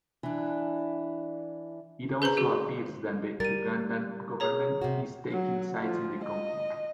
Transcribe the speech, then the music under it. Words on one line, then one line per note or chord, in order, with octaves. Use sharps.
It also appears that the Ugandan government is taking sides in the conflicts.
E3 D4
G#4 B4 C5 A#5
F#4 G#4
G3 A#4 A6 D#7
G#4 C#5 A#5
C3 F#4
F#3
F3
D#5